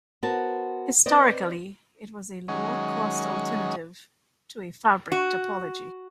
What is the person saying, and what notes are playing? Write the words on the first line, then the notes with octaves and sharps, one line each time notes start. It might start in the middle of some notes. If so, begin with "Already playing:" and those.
Historically it was a lower-cost alternative to a fabric topology.
B3 F#4 A#4 C5 A5
C4 B4 C5 D5 D#5
D#3 F#3 G#3 C#4
F#4